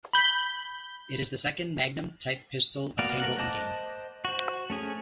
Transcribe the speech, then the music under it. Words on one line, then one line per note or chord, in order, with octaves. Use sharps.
It is the second "Magnum" type pistol obtainable in the game.
B5 G6
A#3 B3 F#4 D5 F5
A3 A#4 F#5
C5 D#5 A5 D6 F#6
F#4 C5
A3 C#4 G#4